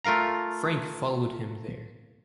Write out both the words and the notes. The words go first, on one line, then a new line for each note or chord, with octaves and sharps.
Frank followed him there.
A3 F4 A#4 F5 A#5